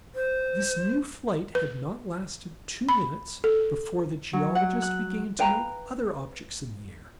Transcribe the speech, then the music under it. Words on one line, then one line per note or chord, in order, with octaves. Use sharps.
This new flight had not lasted two minutes before the geologist began to note other objects in the air.
C5
B4
B5
A4
F#3
F#5
F#6
B4 F5 G5 A#5